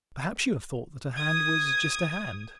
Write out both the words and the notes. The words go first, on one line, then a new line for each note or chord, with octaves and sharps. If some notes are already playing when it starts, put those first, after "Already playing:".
Perhaps you have thought that a hand was just a hand.
D#6 G#6